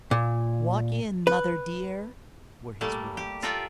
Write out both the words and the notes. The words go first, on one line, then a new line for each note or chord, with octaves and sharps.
"Walk in, mother dear," were his words.
A#2
B4
G3 A3 A#3
G4
F4 A4 A#4 D5 E5 G5